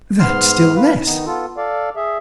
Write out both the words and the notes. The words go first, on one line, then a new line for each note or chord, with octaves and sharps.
"That still less."
G#2 B3 C6 F6
A#3 B4 F5
D#3 B3 D#4
B3 F4 A4
A4 D5 F5
G#4 E5